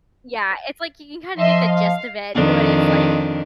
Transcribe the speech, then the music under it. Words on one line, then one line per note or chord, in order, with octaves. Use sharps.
Yeah, it's, like, you can kinda get the gist of it, but it's, like,
F3 D#5 E5 C6
F5
F2 D#3 D4